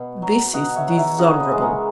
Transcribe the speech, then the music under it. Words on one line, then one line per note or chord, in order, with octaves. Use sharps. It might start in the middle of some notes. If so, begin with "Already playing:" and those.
This is dishonourable!
Already playing: B2 F#5
F#3
B2 D#5 F#5
C#5 E5
F#3 F#5
C#5 E5
C#3 D#5 F#5
B4 D#5
E3 G#3
A#4 C#5